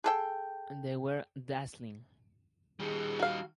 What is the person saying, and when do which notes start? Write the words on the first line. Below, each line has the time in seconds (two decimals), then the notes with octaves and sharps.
They were dazzling.
0.04 G#4 A4 G5
2.80 D#3 G3 G#4
3.19 F#4 F5